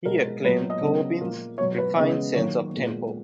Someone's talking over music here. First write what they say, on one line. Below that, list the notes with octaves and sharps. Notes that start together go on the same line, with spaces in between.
He acclaimed Tobin's "refined sense of tempo".
B2 G#3 B3 A#4
A#2 F#3 B3 B4
D#5
C#3 F#3 B3
A#2 A#3
B2 F#3 B3 C#5
B4
C#3 G#3 B3 D#5
D#3 F#3 A#3 C#5
A#2 G#3 B3